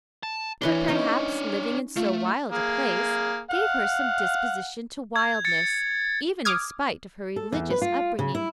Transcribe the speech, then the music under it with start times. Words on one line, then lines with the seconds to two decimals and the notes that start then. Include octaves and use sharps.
But perhaps living in so wild a place gave her some disposition to wildness, even in spite of her religious upbringing.
0.23 A5
0.62 E3 D4 B4 C#5 C6
0.88 C#4 D#4 G5
1.96 A3 F4
2.52 A#3 G#4
3.50 F5 F#5
5.16 G#6
5.45 A6 C#7
6.45 D6 D#6 F6 G#6
7.36 A4
7.52 E2
7.70 B4
7.82 F4
8.19 C#3
8.35 E4